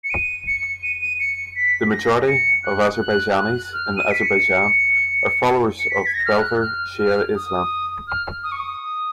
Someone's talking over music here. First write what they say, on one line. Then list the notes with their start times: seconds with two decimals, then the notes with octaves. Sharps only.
The majority of Azerbaijanis in Azerbaijan are followers of Twelver Shia Islam.
0.04 C#7
0.10 D#7
0.47 C#7
0.83 D#7
1.01 D#7
1.20 C#7
1.56 B6
1.91 A#6
2.28 C#7
2.64 F#6
3.01 F#6
3.37 F#6
3.73 F6
3.97 D#7
4.11 B6
4.21 C#7
5.79 C#7
5.90 B6
6.07 G#6
6.14 A#6
6.26 F6
6.39 F#6
6.62 F6
6.99 F6
7.36 D#6
8.08 F6
8.44 D#6
8.52 C#6
8.60 D#6